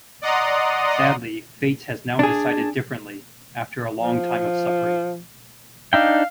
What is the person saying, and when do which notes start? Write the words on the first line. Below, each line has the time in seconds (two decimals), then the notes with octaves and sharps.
Sadly fate has now decided differently, after a long time of suffering.
0.22 D5 D#5 F#5 A#5 C6 D#6
2.19 D4 G#4
4.02 F3
5.93 D4 D#4 F5 G5